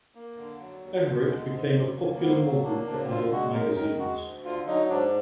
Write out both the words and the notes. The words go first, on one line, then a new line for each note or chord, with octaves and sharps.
Everett became a popular model for adult magazines.
A#3
D3
F#3
D#2
D3
G#3
G#2
F#3
A#3
G#2 B3
F#3
A#3 D4
D2 D4
D3 F4
G#3 F#4
F#2 A#4
D#3 A#4
G#3 F#4
D2
D3 F4
F#3 D#4
G#2 D4